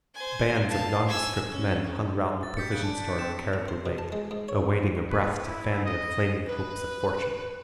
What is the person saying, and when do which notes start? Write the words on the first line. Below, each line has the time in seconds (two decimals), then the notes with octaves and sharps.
Bands of nondescript men hung round the provision-store of Cariboo Lake awaiting a breath to fan their flaming hopes of fortune.
0.14 C5 G#5
0.69 F5 A5
1.08 G#5 E6
1.51 C#4
2.43 A6
2.57 G4 G6 B6 C#7
2.71 C#3 F#6 C#7 D7
2.83 D4
3.19 C4 E7
3.53 A#5
3.68 C5
3.86 B2
3.98 A5
4.12 G#3
4.31 G#2
4.48 C#5
5.10 B4
5.45 E4
5.85 D#5
6.47 B4